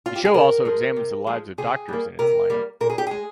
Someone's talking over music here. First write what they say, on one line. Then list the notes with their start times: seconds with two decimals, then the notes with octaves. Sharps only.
The show also examines the lives of the doctors in its lineup.
0.06 F4
0.16 G4
0.25 G#4
0.34 C3 A#4
0.65 F3 G#3
0.96 C3
1.27 F3 G#3
1.58 C3 G#4
1.88 G3 A#3
2.19 C3 A#4
2.50 G3 A#3
2.80 A#2 A#4
2.90 G#4
2.98 G4
3.07 G#3 G#4